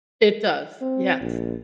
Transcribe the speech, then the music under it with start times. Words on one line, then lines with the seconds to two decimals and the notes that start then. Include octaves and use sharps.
It does, yes.
0.82 C4
1.21 A#1